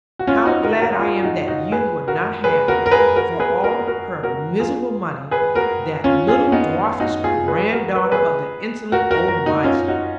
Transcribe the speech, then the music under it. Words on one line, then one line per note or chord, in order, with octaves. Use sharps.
How glad I am that you will not have, for all her miserable money, that little dwarfish granddaughter of the insolent old miser!'
F#4
C#4 F4
D#4 F#4
F#4 A#4
F#4 A#4
F4 G#4
D#4 F#4
D#4 F#4
G#4 B4
F#4 A#4
G#4 B4
F#4 A#4
A#4
G#4 B4
F#4 A#4
G#4 B4
F#4 A#4
F#4 A#4
F#4 A#4
F4 G#4
G#4 B4
F#4 A#4
C#4 F4
F4 G#4
C#4
B3 D#4
D#4 F#4
F4 G#4
G#4 B4
F#4 A#4
B4
G#4 B4
F#4 A#4
F#4 A#4
F#4 A#4
D#4 F#4
C#4 F4
D#4 F#4